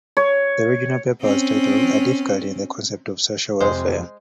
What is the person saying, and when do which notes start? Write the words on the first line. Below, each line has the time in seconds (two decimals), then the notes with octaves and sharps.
The original paper was titled "A Difficulty in the Concept of Social Welfare".
0.17 C#5
1.21 C4 C#4
3.60 F2 C3 G#3 C5